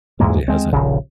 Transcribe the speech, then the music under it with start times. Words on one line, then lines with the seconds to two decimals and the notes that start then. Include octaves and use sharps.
somebody has it.
0.20 E2 G#2 G#3 A#3
0.48 G#3 C4
0.72 D#1 A#1 C#3